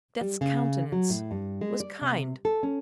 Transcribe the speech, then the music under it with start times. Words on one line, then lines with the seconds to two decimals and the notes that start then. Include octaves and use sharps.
Death's countenance was kind.
0.21 G3
0.41 C#3
0.92 F#3
1.10 A2
1.31 G2
1.61 G#3
1.80 D5
2.01 C3
2.45 A4
2.63 C#4